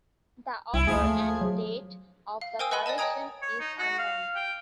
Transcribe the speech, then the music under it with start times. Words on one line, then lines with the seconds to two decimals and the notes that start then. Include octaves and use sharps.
The author and date of the collection is unknown.
0.74 C2 E4
0.87 D2 F3 G#4
1.02 A3
1.41 F#3
2.41 F5
2.59 A#4 C5 G5 G#5 D#6 E6
2.71 B4 D#5 F#5 B5 D#7 G7
2.86 D5 D#5 G#5 A5
2.98 C#5 D#5 G5 A#5 D#6 G#6
3.42 C#5
3.60 D#4
3.78 F#4
3.99 F5
4.36 G5